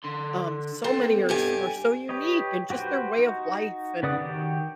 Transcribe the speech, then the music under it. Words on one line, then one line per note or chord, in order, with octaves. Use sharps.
um, so many are s are so unique and just their way of life and,
D3 C6
B3 C4 A4
G2 G4 G#5
G4 B4 C#5 D#5
F#4 G4 B4 C5 G5
D#4 F#4
C#3 B4 D5 F#5 D#6
D#3 F#4 G4